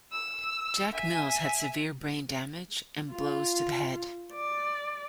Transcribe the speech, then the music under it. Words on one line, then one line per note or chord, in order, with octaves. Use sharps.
Jack Mills had severe brain damage and blows to the head.
E6
E5 G#5
F4
D5